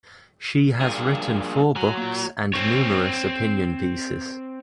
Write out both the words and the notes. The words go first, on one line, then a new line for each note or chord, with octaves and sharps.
She has written four books and numerous opinion pieces.
G2 A#2 G#4
F#3 G#5
A#3 F4
C4 C#5